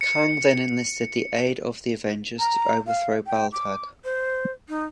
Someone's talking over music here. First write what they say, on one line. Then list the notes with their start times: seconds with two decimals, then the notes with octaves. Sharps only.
Kang then enlisted the aid of the Avengers to overthrow Baltag.
0.01 C#7
2.39 A#5
2.87 F5
3.27 G5
3.52 D6
4.04 C5
4.69 D#4